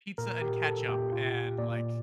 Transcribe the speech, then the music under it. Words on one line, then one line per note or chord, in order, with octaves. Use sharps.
pizza and ketchup and, like
A#2 A#4
G4
A4
A#2 G4
F4
A#2 D5